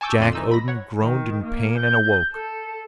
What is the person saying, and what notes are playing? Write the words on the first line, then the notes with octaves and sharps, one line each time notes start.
Jack Odin groaned in pain and awoke.
G#5 A5 C#6 D6 E6 G6
F2 A#2 D3 D5 C6 D#7
E3 D#4 E6
B5 A#6
C#5 F#5
D#3
A#3
G6
A4